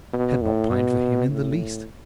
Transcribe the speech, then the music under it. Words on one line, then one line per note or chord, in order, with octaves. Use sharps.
I had not pined for him in the least.
B2
A2
B2
A2